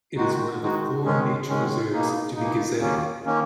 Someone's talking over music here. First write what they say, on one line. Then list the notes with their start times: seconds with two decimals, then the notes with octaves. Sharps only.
It is one of the four nature reserves to be gazetted.
0.16 D#3 G#3 D#4 F#4
0.61 D#3 G#3 D#4 F#4
1.04 G#2 D#3 G#3 C#4
1.48 G#2 D#3 G#3 C#4
1.93 B2 A#3 D#4
2.36 B2 A#3 D#4
2.80 D#2 D#3 A#3 C#4
3.24 D#3 A#3 C#4